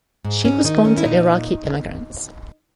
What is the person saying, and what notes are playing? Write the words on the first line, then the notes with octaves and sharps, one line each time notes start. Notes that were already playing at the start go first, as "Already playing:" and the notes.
She was born to Iraqi immigrants.
G#2
C#4
D#3 D#4
C#4
E4
A#2 D#4